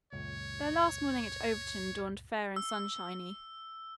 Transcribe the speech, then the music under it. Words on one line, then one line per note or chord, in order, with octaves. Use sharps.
Their last morning at Overton dawned fair and sunshiny.
C#2 F#2 A#2 C#5
E6